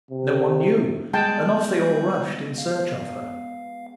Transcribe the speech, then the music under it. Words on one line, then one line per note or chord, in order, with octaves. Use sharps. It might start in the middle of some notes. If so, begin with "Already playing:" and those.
No one knew, and off they all rushed in search of her.
C3
G3 G#3 B3 G5 A5 G6
F5